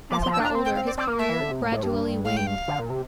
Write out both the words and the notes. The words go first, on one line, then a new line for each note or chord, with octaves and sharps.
As he got older his career gradually waned.
F3 D6
C6
F3
E6
D4 A#5
C4
G5
F5
D5
C4 D5
A#3
A3 E5
E3
D3
C3
A2
A2
G2
A2 F5
G2 G5
F5
D3
A#2
C3